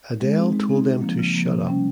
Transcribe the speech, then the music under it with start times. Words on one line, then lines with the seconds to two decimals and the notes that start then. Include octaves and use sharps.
Adele told them to "Shut up".
0.20 G#3
0.37 C4 D#4 G#4
0.53 G#3
0.70 C4 D#4 G#4
0.86 C#3
1.02 F3 A#3
1.19 C#3
1.34 F3 A#3
1.52 C3
1.67 G3 C#4